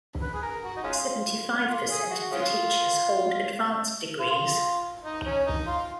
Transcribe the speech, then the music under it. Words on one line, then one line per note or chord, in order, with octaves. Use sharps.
Seventy-five percent of the teachers hold advanced degrees.
B4
G#4
A#4
F#4
D#4
G#3 C#4 F4
F4
G#4
F#4
G#3 C#4 F4
F4
D#4
C#4
D#4
F4